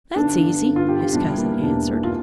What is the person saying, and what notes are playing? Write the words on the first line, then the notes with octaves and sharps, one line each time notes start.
"That's easy," his cousin answered.
G1 G2 D3 D4
D4
G1 G2 D3
F4
G4
F4
E1 E2 E3 G3 D4
A#3
E1 E2 E3 G3 D4
F4